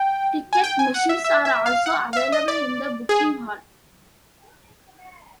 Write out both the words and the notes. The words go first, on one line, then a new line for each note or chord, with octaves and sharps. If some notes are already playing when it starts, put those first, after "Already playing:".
Ticket machines are also available in the booking hall.
Already playing: G5
G#5
G5
G#5
F#5
E5
E5
E5
F5
F#5
F5
E5
D#5
D5
G#4